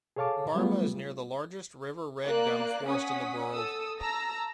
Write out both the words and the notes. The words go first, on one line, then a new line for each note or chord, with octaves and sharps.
Barmah is near the largest river red gum forest in the world.
G#4 A4 C#5 F5 A5 D6
F#3 G3 A3 B3 F4
A#3 D5 F#6
C#4 F#5 D#6 B6
A4 D#6 E6
A5 A#5 E6 A#6